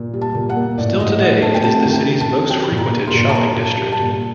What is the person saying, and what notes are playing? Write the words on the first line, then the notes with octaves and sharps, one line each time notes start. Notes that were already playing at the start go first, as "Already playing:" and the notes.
Still today it is the city's most frequented shopping district.
Already playing: A#2
G3
A5
A#2
F#5
A#3
A2 D5
A2 D#5
A3 F#5
A3 A5
G5
C3 A5
D#3
G5
C3
A5
C3
F#3 G5
A#2
A#5
A#3
C6
A#2
A5
A#3 A#5
A#2
A5
G3
A5
A#2